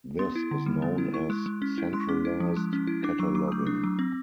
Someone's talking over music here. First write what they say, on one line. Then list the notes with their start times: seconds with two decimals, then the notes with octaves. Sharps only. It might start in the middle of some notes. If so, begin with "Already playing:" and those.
This is known as centralized cataloging.
0.19 B3 C6
0.36 E4
0.51 D3
0.66 G3
0.82 B3
0.98 E4
1.14 E4 C#6
1.30 G#3
1.46 G#3
1.62 C#4
1.78 E4
1.93 G#3 C6
2.01 C#6
2.09 C#4 D6
2.25 E4
2.40 F3
2.56 G#3
2.73 C#4
2.87 E4
3.04 D4 D6
3.19 F#3 C#6
3.35 F#3 D6
3.48 A3 D#6
3.59 D6
3.67 D4
3.84 F#3
3.99 C4